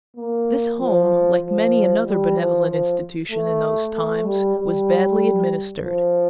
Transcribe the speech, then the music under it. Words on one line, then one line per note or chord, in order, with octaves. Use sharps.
This home, like many another benevolent institution in those times, was badly administered.
A#3
F3
F3
G3
F3
F3
A3
A3
G3
G3
F3